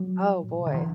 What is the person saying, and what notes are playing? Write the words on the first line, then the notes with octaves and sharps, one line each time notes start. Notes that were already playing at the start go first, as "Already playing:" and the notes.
Oh, boy.
Already playing: F#3
A2
B2
C#3
D3
E3